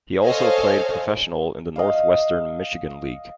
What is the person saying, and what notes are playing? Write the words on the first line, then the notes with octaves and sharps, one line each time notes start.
He also played professional in the Northwestern Michigan League.
G#4 A4 C5 C#5 D#5 F5
D#5 F5